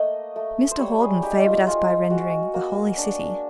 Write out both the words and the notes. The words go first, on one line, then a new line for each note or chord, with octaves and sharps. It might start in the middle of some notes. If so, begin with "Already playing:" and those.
Mr Hawden favoured us by rendering "The Holy City".
Already playing: A3 A#3 D#5
A3
C5
G3 C#5
G#4
D#4 G4
F4
G#3 F4
G#3 F#4
A#3 F#4
D4